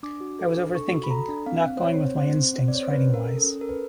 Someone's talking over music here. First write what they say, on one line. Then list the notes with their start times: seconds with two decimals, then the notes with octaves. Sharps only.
I was over-thinking, not going with my instincts writing-wise.
0.03 D4 D6
0.21 F#4
0.39 A4
0.56 D4
0.75 A4 C#6
0.93 F#4
1.04 B5
1.11 A4 A#5
1.28 D4
1.46 C4 F5
1.64 C4
1.77 C5
1.82 C4 C#5
2.00 C4
2.18 C4 C5
2.36 C4
2.53 C4
2.68 D5
2.72 C4 C#5
2.83 C5
2.90 C#4 B4
3.07 C#4
3.14 A#4
3.26 A4
3.38 A4
3.44 C#4
3.61 A4 A#4
3.69 B4